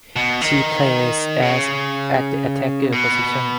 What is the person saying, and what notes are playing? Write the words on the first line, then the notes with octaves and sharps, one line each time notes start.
She plays as at the attacker position.
B2
D#3
C#3
B2